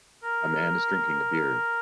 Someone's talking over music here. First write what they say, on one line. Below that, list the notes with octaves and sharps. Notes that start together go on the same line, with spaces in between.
A man is drinking a beer.
A#4